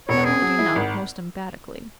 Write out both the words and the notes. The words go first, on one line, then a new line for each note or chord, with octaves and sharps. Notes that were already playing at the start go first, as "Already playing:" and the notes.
No, I do not, most emphatically.
E1 C#5
C#4 G#4
F#3
E4
G#1